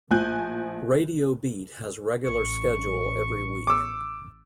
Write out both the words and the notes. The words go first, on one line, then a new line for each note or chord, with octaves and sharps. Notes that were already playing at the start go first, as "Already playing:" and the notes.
Radio Beat has regular schedule every week.
A#1 A2 F3 G#5 F#6 G6
A1 C#6
D6 E6